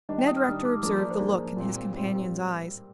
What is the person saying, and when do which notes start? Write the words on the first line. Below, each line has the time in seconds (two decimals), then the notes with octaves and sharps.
Ned Rector observed the look in his companion's eyes.
0.09 D#3 G3 D4 D#5
0.19 G5
0.27 D#6
0.37 F6
0.46 D#3 G3 D4 D#6
0.65 D6
0.83 F3 A#3 D4 G#4 D6
0.92 C6
1.01 D5
1.11 C5
1.19 F3 A#3 D4 G#4 D5
1.57 A#2 G3 C4
1.93 A#2 G3 C4